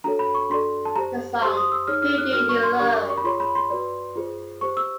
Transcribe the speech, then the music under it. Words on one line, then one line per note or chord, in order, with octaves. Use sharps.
The song Who Do You Love?
D4 F#4 A4 C#5 A#5
B5
C#6
D4 F#4 A4 D5 C6
A5
G4 C5 A#5
G4 C5 C6
D#6
E6
D#4 G#4 C#5 F6
F6
F#6
D4 F#4 A#4 F6
C#6
C6
D4 G4 A#4 D5 C#6
D6
C#6
B5
F4 G#4 C#5 C6
B5
C6
F#4 B4 D5
F4 G#4 C5
G4 C5 C#6
E6